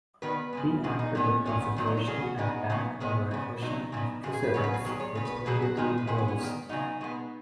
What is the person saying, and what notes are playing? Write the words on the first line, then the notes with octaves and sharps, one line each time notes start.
He acted with consideration and tact over a question of precedence which immediately arose.
D#3 B3 B4
C#3 G#3 B3
C#3 G#3 B3
D#4
D#3 B3 C#4
D#3 F#3 B3 C#4
B3
D#3 F#3 B3
D#4
C#5
C#3 B3 G#4
F#4
C#3 G#3 B3 D#4
C#3 F#3 B3
D#3 G#3 B3
C#3 B3
B2 F#3 B3 D#4
C#3 F#3 B3
C#3 G#3 B3 F#4
G#4
B4
C#3 F#3 B3 C#5
B4
G#4
D#3 F#3 B3 G#4
C#5
C#3 B3 B4
B4
B4
B2 F#3 B3 G#4
F#4
D#3 G#3 B3 D#4
B4
D#3 G#3 B3 G#4
B3
C#4
D#3 B3
C#3 F#3 B3 D#4
B2 G#3 B3